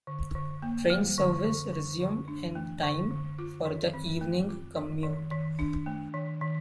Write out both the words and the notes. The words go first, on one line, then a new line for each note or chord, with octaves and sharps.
Train service resumed in time for the evening commute.
D3
D3
A#3
G3
D3
D3
D3
D3
D4
A3
D3
D3
F4
D#3
C4
A3
F4
D#3
D#3
D#3
D4
A3
D#3
D#3